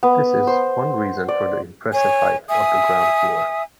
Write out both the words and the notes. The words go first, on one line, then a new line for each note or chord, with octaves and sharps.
This is one reason for the impressive height of the ground floor.
B3
C5
D5
C#5 G#5
E5 G#5 D#6